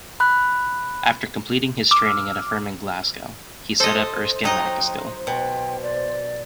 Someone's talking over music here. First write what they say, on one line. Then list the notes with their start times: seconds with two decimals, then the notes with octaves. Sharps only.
After completing his training at a firm in Glasgow, he set up Erskine MacAskill.
0.20 B5 F#6
1.91 D6 E6 F6
3.80 A4 C5 D#5
4.44 F#3 D#4 D#5 G5
5.27 B2 G5
5.83 D5